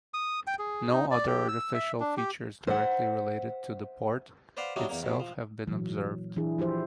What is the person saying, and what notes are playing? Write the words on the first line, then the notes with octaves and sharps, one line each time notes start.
No other artificial features directly related to the port itself have been observed.
D#6
G5
G#4
D#4
D5
G4
E6
E5
D4
G4
C5 E5 F#5
B4 C5 D5 F5 F#5
F#3 G3 A3 D4 D#4
E2 A#3
G#2 B2
F3
A#2 E3 F#3
E3 D4 E4 G#4
F3 E4 G4 C5 E5